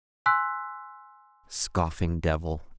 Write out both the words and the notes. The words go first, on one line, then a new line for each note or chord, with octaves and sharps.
Scoffing devil!
G#5 C6 E6 F#6 B6